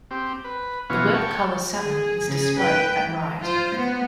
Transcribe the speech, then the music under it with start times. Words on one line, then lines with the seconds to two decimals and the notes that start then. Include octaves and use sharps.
The web color salmon is displayed at right.
0.11 C4 G4
0.44 B4
0.90 B2 E3 C#4 F4 F#4
1.14 C#5 G5 A5 C#6
1.75 G#4
2.27 C#3 G#4
2.58 B4 G5
3.03 E3
3.41 F4 C5
3.75 B3